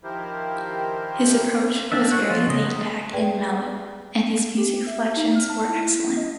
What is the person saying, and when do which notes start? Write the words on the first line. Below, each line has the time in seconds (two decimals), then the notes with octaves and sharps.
His approach was very laid-back and mellow, and his music selections were excellent.
0.04 D#3 F3 E4 G4 A#4 C5
1.92 A#3 C4 D4 E5
2.11 F#4 C#5 F#5
2.30 F3 F#3 F4
2.47 C#3 D#5
2.63 G3 B3 D#4
3.13 G#4 B4 D5 G5
4.57 G4
4.87 E5
5.17 D#4
5.35 F6
5.50 A5
5.69 E4
6.17 D#5